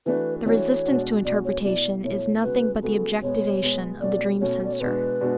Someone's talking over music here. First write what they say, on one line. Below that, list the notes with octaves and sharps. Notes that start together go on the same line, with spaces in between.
The resistance to interpretation is nothing but the objectivation of the dream censor.
E3 A3 D4 F#4 B4
E3 A3 D4 F#4 C#5
B2 G#3 D4 F#4
B2 G#3 D4 F#4 D5
C#5
B2 A3 E4 D5
B2 A3 E4 C#5
C#3 G#3 B3 F#4 B4
C#3 G#3 B3 F#4 A4
B2 G#3 B3 C#5
B2 G#3 B3
B2 A3 C#4 F#4 D5
B2 A3 C#4 F#4 C#5
D5
C#5
B2 G#3 D4 F#4 B4
B2 G#3 D4 F#4